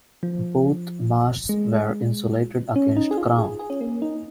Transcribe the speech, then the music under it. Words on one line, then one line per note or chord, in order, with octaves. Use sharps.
Both masts were insulated against ground.
F3
G#3
C#4
D#4
G#4
F4
G#4
G#4
C#4
A#3
D#4